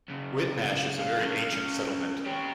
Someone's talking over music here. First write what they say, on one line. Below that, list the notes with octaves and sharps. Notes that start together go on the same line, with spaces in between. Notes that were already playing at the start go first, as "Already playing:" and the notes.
Whitnash is a very ancient settlement.
F#2 C#3
F5
G#3 C#4
C#2 C#4
G4 C#5